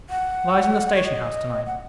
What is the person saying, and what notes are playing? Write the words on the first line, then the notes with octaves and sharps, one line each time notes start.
Lies in the station-house to-night.
F#5
C#5
D#5
F#5